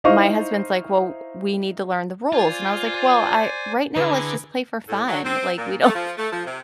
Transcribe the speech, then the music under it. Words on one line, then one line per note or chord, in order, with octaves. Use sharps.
my husband's like, "Well, we need to learn the rules." And I was like, "Well, I right now, let's just play for fun. Like, we don't
D#4 E4 C5 D#5 F5 C#6
F4 C5 D5 G#5
D3 E4 G#4 B4 A#5
A2
F#3
C4
A#2
A3
F3
A3
F3
C3